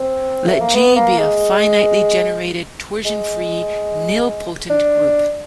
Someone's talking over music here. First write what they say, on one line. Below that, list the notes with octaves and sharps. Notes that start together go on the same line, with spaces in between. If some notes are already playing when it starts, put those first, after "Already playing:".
Let "G" be a finitely generated torsionfree nilpotent group.
Already playing: C4
A3
A#3
B3
A#3
G#3
G#3
D4